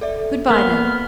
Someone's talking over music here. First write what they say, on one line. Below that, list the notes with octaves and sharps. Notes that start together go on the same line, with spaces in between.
"Good-bye, then."
A4 D5 E5
A#3 B3 F6